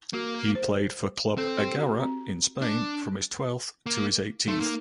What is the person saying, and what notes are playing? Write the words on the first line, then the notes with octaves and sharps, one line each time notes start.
He played for Club Egara in Spain from his twelfth to his eighteenth.
A#3 F#4
A#4
C5
C4 A4
G4
F#4
C4
D4
A#3
A3 D#4
A#3